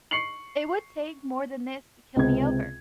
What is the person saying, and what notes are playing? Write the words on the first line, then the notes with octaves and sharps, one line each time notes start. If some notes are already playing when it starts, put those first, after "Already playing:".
It would take more than this to keel me over.
C#6 C7 C#7 F#7
C#2 C3 C4 G#6